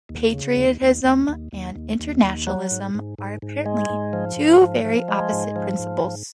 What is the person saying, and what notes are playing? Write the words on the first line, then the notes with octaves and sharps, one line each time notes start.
Patriotism and internationalism are, apparently, two very opposite principles.
D#2
C#3
D#2
D#2
D#2
D#2
D#2
D#2
D#2
D#2
F#3
G#2
G#2
G#2
G#2
G#3
G#2
F3
G#2
F3
F3
G#3
G#2
F3
G#2
G#2